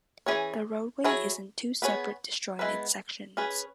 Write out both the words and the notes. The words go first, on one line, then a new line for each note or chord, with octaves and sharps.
The roadway is in two separate disjointed sections.
E3 C#4 G#4 C#5
F#3 E4 G#4 C#5
B3 G#4 C#5
G#3 B3 E4 B4
C#4 G#4 B4